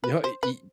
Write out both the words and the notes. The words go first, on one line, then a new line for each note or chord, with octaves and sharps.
No, e e
B4
C5
B4